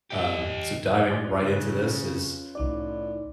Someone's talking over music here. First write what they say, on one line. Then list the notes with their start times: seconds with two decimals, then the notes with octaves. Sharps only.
um, so diving right into this is,
0.10 G4 D#5
1.10 G#4 D5 C6
1.24 C#4 F4 B4
1.38 C#3
2.55 C2 A2 D#4 D5